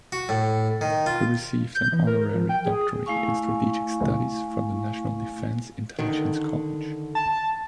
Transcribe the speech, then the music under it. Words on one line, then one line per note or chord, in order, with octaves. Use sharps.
He received an honorary doctorate in strategic studies from the National Defense Intelligence College.
F#4
A2
D#3
F4
G6
E3
A#4
F3
G5
G#4
A3 E4 F5 G#5 C#6
D3 D#3
A5